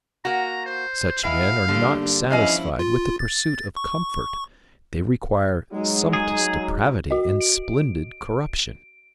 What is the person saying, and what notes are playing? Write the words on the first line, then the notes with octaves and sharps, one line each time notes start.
Such men are not satisfied with the pursuit of comfort; they require sumptuous depravity and splendid corruption.
A#3 F#4 A#5
C5
G#3 B3 E4 F5
G2 D3 A#3 G4
E3 F3 C#4 E4 D#5 F5 G#5
F4
A6
C#6
F#3 G#3 D#4
G#4
F#4 D#5
D7